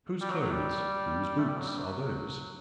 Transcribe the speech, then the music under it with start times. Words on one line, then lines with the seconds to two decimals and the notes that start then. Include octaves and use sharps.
Whose clothes, whose boots, are those?
0.21 G3
0.31 F#3
0.41 F#3
0.51 G3
1.38 A3
1.48 G3
1.58 F#3
1.68 G3
1.77 F#3